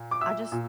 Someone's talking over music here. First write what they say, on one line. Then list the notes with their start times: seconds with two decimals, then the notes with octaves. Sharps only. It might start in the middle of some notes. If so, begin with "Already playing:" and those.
I just
Already playing: A#2
0.11 D6
0.21 E5 E6
0.52 A#2